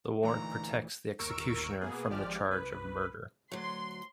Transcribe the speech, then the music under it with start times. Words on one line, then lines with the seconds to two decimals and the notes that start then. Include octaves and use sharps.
The warrant protects the executioner from the charge of murder.
0.23 D2 A#2 E3 D#4 A#5
1.19 G1 D#2 A#4 C#6 E6 D7
1.81 B2 A#3 B3 G#4
2.10 G#1 F3 G#3 G4 D5 F6
2.47 C2 B4
3.52 D2 F#3 C6